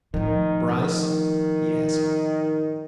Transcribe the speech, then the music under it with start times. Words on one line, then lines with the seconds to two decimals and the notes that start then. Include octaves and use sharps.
"Bryce?" he asked.
0.14 A2 D#3 F3
0.85 D#3